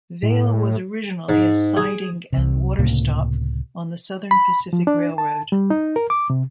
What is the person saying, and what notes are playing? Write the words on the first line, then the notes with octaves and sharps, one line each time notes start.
Vail was originally a siding and water stop on the Southern Pacific Railroad.
A2
G#2
G#4
C2 C3
C#2 A2 C3 A#3
B5
F3
D4
A5
G3
D#4
A#4
D6
C3